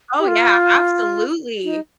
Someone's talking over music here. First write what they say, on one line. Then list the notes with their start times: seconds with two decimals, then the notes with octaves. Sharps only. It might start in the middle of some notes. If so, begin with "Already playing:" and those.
Oh, yeah, absolutely!
0.19 G4
0.28 F4
1.64 D#4